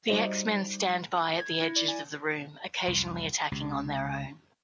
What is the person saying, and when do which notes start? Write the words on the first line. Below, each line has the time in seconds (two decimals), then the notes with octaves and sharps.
The X-Men stand-by at the edges of the room, occasionally attacking on their own.
0.08 G3 D#4 F#4 C5 D#5 E5
1.40 G#6
1.61 E4
1.76 D5
1.88 G#5
2.88 C2 F2
3.52 C#2 C3